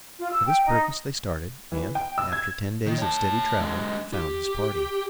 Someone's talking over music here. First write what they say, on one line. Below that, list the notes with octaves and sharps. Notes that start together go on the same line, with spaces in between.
For this purpose they started, and, after ten days of steady travel, found his party.
F4
E6
G5
D#4
E3
G5
E6
G#6
D#3
C#5 A5
D3 G#3
G4